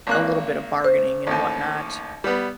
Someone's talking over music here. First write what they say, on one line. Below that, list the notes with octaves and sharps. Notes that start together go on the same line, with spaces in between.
a little bit of bargaining and whatnot.
G#1 A#3 F#6
C5
A1 D#2
G3 B3